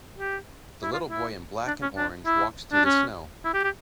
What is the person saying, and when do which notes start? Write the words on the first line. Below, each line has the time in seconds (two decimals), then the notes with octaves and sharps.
The little boy in black and orange walks through the snow.
0.19 G4
0.83 E4
0.93 F4
1.09 E4
1.67 D4
1.82 C#4
1.97 D4
2.26 E4
2.73 D4
2.85 C#4
3.45 E4
3.54 G4
3.64 G4